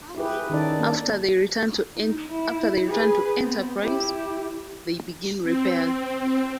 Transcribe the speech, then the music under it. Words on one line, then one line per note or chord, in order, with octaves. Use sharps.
After they return to "Enterprise" they begin repairs.
E4 G4 G#4 B4
D#3 C#4 D#4 A4 D5
A#3 D4 A4 D5
D#4
E4
G#4 B4
B3 C4
E4 G4
C4